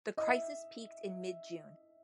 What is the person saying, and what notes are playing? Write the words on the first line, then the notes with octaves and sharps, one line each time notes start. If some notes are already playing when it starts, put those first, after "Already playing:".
The crisis peaked in mid-June.
D#5
E5